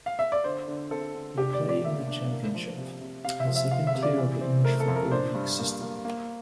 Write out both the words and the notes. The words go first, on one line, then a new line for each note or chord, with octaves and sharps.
They play in the Championship, the second tier of the English football league system.
F5
E5
D5
D3 C5
D3
C4 A4
D3
D4 G4
D5
A2
D5
A#3 E5
D4
A#3
F3
C3
C3
C3 F5
E5
F3
E5
F3 F5
E5
C3
D5
E3
C4
A3 A#4
A4
F2
A#4
D4 C5
G2
A#3
A#3
A#3